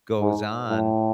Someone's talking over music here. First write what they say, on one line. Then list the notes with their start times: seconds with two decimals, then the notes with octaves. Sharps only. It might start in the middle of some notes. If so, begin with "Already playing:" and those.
goes on,
0.19 G#2
0.68 A2